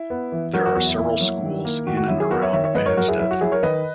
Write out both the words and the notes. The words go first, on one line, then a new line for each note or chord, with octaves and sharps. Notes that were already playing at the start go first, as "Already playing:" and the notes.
There are several schools in and around Banstead.
Already playing: E4
B3
E3
F#3 F#4 A#4
F#4 A#4
E2 F#4
E4
A#3 E4
F#3
D#3
A#3
D#3 F#4
F#4
F#3 E4
E4 G#4
B3 F#4 A#4
C#5 E5
D#3 C#5 E5
C#5 E5
G#2 B4 D#5
A#4 C#5
F#3 F#4 A#4
E4 G#4
F#3 E4
F#4
F#3 E4 G#4
A#4 C#5
D#3 B4 D#5